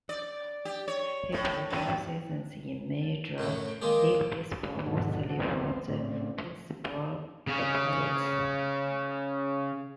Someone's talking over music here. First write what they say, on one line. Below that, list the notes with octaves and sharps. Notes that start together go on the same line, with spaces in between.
He played twelve seasons in Major League Baseball, mostly for the Pittsburgh Pirates.
D5
G4
C#5
A2
F#2
F#2 A2 F#3 A3
D#3 G#3 A#3 G4 G#4
G#2 B2 D3 D#3 F#4 A4
F#4 A4
B3 C4 C5
A2 C#3 C4 D4
C#3 C#4